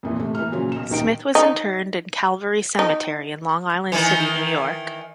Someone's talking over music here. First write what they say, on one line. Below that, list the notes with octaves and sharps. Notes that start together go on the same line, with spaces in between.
Smith was interred in Calvary Cemetery, in Long Island City, New York.
F2 A#2 E3
A2 C3 A3
E3 A#3 F6
A#2 C#3 F3 F#3 F4
B1 E7
D#1 D#3 D#4 G5 D7
D#4
D#4
D#3 E3